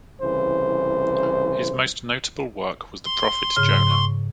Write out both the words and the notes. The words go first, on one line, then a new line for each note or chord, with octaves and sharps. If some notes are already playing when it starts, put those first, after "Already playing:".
His most notable work was the "Profit Jonah".
C2 C#3 E3 C5
C6
G#2 C#3 F6
C#6